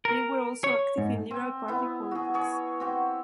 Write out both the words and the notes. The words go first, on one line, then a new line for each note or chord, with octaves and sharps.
They were also active in Liberal party politics.
A#4
C#5
G#2
C4
B3 E4
F#4 G#4
G#4 C#5
C4 F#4 G4